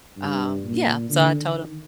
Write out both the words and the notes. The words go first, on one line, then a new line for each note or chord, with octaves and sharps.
um, yeah. So I told him
G2
A#2
D3
D#3